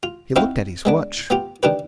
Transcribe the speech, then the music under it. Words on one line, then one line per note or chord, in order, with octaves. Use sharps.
He looked at his watch.
F4
C4 D#4 E4 F#4 C5 F5
G#3 B3 D4
B3 F4 G4
D#3 D4 G4 B4